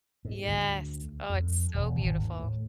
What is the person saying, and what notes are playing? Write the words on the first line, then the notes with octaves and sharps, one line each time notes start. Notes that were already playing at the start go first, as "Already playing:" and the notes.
Yes, oh, it's so beautiful.
G#2
D2
F2
E1
G#1
D#2
A2